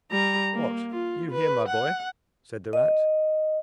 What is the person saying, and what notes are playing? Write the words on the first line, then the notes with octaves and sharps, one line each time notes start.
"What! you here, my boy?" said the rat.
G3 A#5
A#3
F4
B4
F#5
D#5